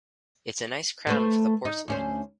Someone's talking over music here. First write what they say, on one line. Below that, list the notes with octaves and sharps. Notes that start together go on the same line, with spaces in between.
It's a nice crown for the porcelain.
A3 B4 C5
D#4
D2 C#4 C5